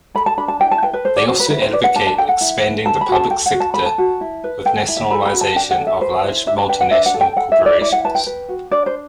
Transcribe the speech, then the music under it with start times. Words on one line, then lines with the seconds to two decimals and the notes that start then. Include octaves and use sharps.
They also advocate expanding the public sector with nationalisation of large multinational corporations.
0.15 A4 B5
0.26 A5
0.38 D4 B5
0.48 A5
0.59 E4 G5
0.71 A5
0.83 B4 G5
0.93 B4
1.05 A4 C5
1.16 D5
1.28 F#4 C5
1.40 B4
1.50 E4 B4
1.62 C5
1.73 B4 D5
1.84 F#5
1.95 D4 A5
2.07 A5
2.18 A4 G5
2.29 F#5
2.41 E4
2.63 B4
2.85 A4 A5
3.01 B5
3.09 F#4
3.16 A5
3.31 A4 G5
3.46 F#5
3.53 F#4
3.60 A5
3.74 A4 B5
3.86 A5
3.98 F#4
4.21 E4
4.44 B4
4.65 A4 G5
4.88 E4
4.97 E5
5.11 A4 B5
5.26 B5
5.34 F#4
5.41 A5
5.56 D4 G5
5.71 F#5
5.78 A4
5.87 E5
6.01 B4 C5
6.24 E4
6.46 D4 E5
6.58 A5
6.68 B4 G5
6.81 F#5
6.91 D4 E5
7.06 F#5
7.14 A4
7.21 G5
7.36 A4 F#5
7.52 E5
7.59 E4
7.66 D5
7.81 E4 D5
7.92 F#5
8.04 B4 A5
8.15 G5
8.26 B4
8.49 F#4
8.71 D4 D5
8.86 C5